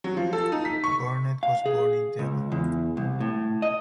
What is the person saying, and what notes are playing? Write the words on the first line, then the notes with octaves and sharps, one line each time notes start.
Burnett was born in Devon.
F#3
F3
A4
D#4
B6
C#6
F5
G#4
C#2
E2
C2
A2
D#5